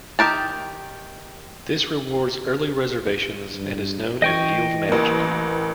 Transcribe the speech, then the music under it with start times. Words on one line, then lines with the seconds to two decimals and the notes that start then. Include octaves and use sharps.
This rewards early reservations, and is known as "yield management".
0.19 D#3 G4 A#4 A5
3.55 G2
4.22 E3 D#5 G5 C#6
4.89 A1 A#3